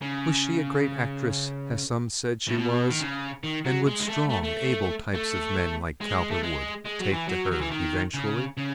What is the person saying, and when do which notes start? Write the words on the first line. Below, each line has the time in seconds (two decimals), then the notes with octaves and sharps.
Was she a great actress, as some said she was, and would strong, able types of men like Cowperwood take to her--eventually?
0.02 C#3
2.48 A2
2.57 B2
2.90 D#3
3.01 C#3
3.43 D#3
3.65 F#3
3.87 G#3
4.01 G#3
4.08 A3
4.29 A3
4.43 A3
5.15 A3
6.01 G#3
6.31 A3
6.43 G#3
6.86 G#3
7.00 F#3
7.13 E3
7.28 F#3
7.52 F#3
7.61 E3
7.71 D#3
8.14 C#3
8.57 C#3